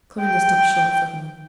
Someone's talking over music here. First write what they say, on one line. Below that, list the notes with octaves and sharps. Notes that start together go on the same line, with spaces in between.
Clorinda stopped short suddenly.
G5